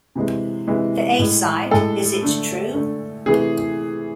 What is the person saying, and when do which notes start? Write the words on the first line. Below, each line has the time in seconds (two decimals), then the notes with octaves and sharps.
The A-side Is It True?
0.15 C3 E3 G#3
0.67 C3 E3 G#3
1.19 A2 G#3
1.71 A2 G#3 A4
2.22 D3 A3
2.74 D3 A3
3.26 C3 E3 A3 G#4